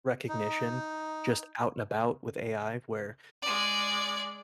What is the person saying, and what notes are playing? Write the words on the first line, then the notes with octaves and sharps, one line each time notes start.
recognition. Just out and about with AI, where
D#4
G#3 D5